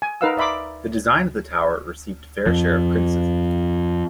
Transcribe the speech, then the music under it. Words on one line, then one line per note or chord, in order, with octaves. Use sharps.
The design of the tower received a fair share of criticism.
G#5
D#4 A#4 B4 F5 F#5 E6
D5 E5 B5 C6 D6
F2 F3